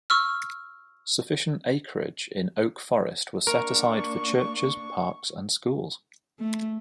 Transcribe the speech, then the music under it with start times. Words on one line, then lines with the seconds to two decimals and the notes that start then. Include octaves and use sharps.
Sufficient acreage in Oak Forest was set aside for churches, parks and schools.
0.10 C#6 E6 F6
3.47 A#3 D4 A#4 C#6
6.39 A3